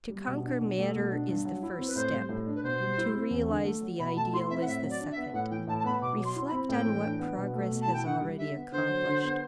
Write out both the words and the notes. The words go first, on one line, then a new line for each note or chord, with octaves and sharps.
To conquer matter is the first step; to realize the ideal is the second. Reflect on what progress has already accomplished.
G3
B2
D4
B2
A3
B2
D4
G2
F#3
E4
C4
B4
A2 C5
G3
A2
D4
B4
B2 C5
G3
E4
C4
E2
D3
A3
F#3
B2 B5
A3 A5
E4 C6
C4 E5
F#5
A2 E5
F#3
D5
D4
E5
B3
A2 F#5
E3 G5
A2 A5
A5
B3 B5
B2 D6
F#3
C6
E4
B5
C4
A2 G5
E3
D4
B3
B2
A3
B2
A5
E4
G5
D3 F#5
G3
D3 E5
B3
D3 C5
F#3
D3
B3